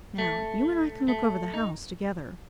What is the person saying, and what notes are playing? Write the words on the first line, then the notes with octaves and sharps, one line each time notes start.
"Now, you and I can look over the house together."
A3
A3
D#4